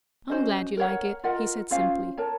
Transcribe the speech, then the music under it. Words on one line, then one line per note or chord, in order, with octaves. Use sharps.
"I am glad you like it," he said simply.
C#4 F#4 C5 D#5
A#4 C#5 F#5
F4 A#4 D#5 F#5
C#4 F4 C5 F5
A#4 C#5 A5